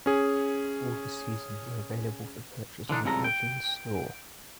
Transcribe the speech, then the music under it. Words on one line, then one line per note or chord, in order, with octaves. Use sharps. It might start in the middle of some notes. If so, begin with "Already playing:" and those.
All the seasons are available for purchase on the iTunes Store.
C#4 G#4
D3 E3 D4 D#4
C2 F2 C#3 G#3 A4 A#5
G5